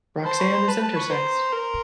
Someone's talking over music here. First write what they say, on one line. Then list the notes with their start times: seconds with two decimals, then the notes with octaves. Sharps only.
Roxanne is intersex.
0.25 C5 A5 B5
0.39 B5 C#6
0.53 A#5 C6
0.68 B4 A5 B5
0.82 A5 B5
0.96 B5 C#6
1.10 C5 A#5 C6
1.53 A#4